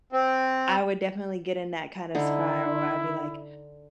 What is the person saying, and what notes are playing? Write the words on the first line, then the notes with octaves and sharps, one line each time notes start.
I would definitely get in that kind of spiral where I'd be, like,
C4
D3 D#4 E4